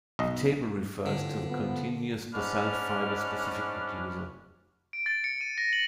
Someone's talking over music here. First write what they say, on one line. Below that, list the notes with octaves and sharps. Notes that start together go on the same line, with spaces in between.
The table refers to the continuous basalt fiber specific producer.
B1 D#5
A2 D3 F3 C4
F2 F3 B3
G#2 C#4 D4 B5 F6
D7
A6
C#7
D#7
A#6
F#7